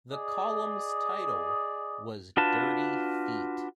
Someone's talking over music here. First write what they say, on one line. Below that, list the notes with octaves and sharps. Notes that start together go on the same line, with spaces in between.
The column's title was Dirty Feet.
G#4 D5 D#5
D4 F4 F#4 B4 A5